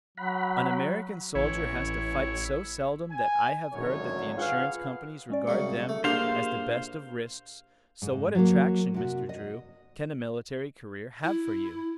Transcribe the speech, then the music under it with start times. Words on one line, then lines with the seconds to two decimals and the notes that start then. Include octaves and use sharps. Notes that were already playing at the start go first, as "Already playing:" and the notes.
"An American soldier has to fight so seldom that I have heard that the insurance companies regard them as the best of risks, so what attraction, Mr. Dru, can a military career have for you?"
0.17 F#3 F#5 B5
1.35 A1 E4 C#5
3.10 G#5
3.73 G#1 C#2 F#2 D3 C#5
4.37 F4 G#4 B4 F5 F#5
5.30 G#3 C#4 D5
5.47 C2 C#3 F#3 C#7
5.89 A3
6.04 A#2 D4 G4 G#4 C5 F5 G5 A#5
8.02 G#2
8.35 F#3 A#3
8.94 C3 F#4
9.29 D#5
11.23 E4